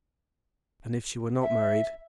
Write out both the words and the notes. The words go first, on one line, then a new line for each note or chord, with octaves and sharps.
"And if she were not married?"
E5